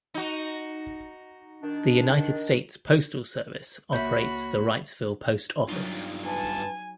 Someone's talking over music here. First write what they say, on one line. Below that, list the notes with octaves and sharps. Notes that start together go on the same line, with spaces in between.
The United States Postal Service operates the Wrightsville Post Office.
D#4 F#4
D#3 D4
C#2 A#3 F#4 C#5 E5 B5 G6
G2 F#3 D#4 F4
B4 G#5 A5